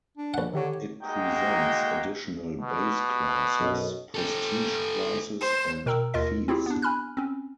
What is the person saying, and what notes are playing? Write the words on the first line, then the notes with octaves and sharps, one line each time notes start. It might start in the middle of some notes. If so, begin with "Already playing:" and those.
It presents additional base classes, prestige classes, and feats.
D4
A#1 F#5
D3 D#3 G4 C#5
G#3 A#3 D#4 F#4 D#5 G5
B2
B1 F#2 D#5
G4 A4
C5
B2 A#4 G5 A#5 E6
D#2 F4 A#4 D#5 A#6
C4 E4 F4 G4 G#4
B3 D4
G#5 B5 F6 F#6
C4 C#4